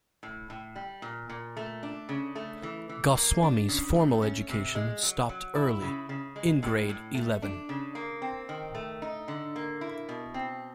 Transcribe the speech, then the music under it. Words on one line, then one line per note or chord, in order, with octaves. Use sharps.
Goswami's formal education stopped early, in grade eleven.
A2
A2
G3
A#2
A#2
A3
D4
C#3
A3
E3
E3
A#3
D4
C#3
A3
C#4
C3
G#3
F#3
F#3
E4
C#3
C#3
G#3
A2
A2
A3
D4
C#3
A#3
C4
D#3
A3
D#4
D3
A#3
E4
B2
C4